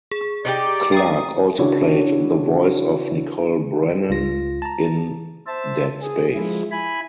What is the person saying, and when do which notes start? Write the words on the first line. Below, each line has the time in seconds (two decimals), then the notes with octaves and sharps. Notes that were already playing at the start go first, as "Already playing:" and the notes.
Clarke also played the voice of Nicole Brennan in "Dead Space".
0.11 G#4
0.45 D#4 F4 G4 D5
0.92 G5 A#5 D#6
1.59 C#3 D4 E4 F#4 C#5
4.10 C#2 F4 A#6
4.62 A5 A#5
5.47 C5 E5 A5
6.02 G#4
6.35 F3 G#3 E4
6.71 E4 G#5 B5